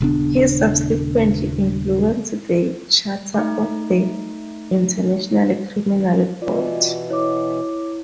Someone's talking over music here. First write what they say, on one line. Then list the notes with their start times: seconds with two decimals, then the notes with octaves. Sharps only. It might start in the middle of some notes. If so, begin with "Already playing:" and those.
He subsequently influenced the charter of the International Criminal Court.
0.01 D#1 C#3 B3 D4
3.34 A3 D#4
6.42 B2 E3 F4 D5
7.10 E4 C#5 D6